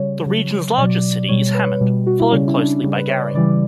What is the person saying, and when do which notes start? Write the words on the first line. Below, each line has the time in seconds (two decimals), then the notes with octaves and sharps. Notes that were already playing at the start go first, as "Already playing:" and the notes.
The region's largest city is Hammond, followed closely by Gary.
Already playing: C#3 G3 C#5
0.26 C#3 F#3
0.78 B2 F#3 D5
1.28 B2 G3 C#5
1.54 B4
1.80 B2 G3
2.06 F#4
2.19 E4
2.32 C#3 G3 C#4
2.47 E4
2.57 D4
2.83 C#3 G3
2.96 B4
3.09 C#5
3.22 D5
3.34 C#3 E3 G3 D5